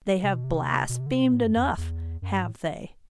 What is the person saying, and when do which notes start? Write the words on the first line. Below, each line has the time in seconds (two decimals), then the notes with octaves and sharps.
They have blasphemed enough, have they.
0.23 C3
0.34 B2
0.44 C3
0.89 B2
1.00 C3
1.06 D3
1.11 C3
1.22 B2
1.33 A2
1.45 F#2
1.56 F#2
1.63 E2
1.77 E2
2.22 F#2
2.32 G2
2.44 A2